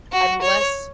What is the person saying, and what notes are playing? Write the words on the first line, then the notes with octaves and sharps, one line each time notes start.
I'm less,
F#4
C#5